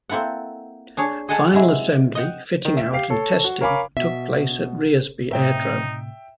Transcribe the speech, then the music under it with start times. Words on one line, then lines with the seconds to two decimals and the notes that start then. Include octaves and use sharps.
Final assembly, fitting out and testing took place at Rearsby aerodrome.
0.09 A#3 C4 E4 A4 F#5
0.97 D4 G#4 C#5
1.29 G#4 D#5 F#5 G#5 A5
1.53 C3 F#3 G#3 E4 E5
2.15 D#5 F#5 G5
2.65 D#3
2.77 E5
2.92 G4 F5 C7
3.10 A4 C#5
3.44 F#4
3.61 A#4 C#5 F5 G#5 B5 D6
3.97 B2 E5
5.31 A2 C3 D#4 E5 G5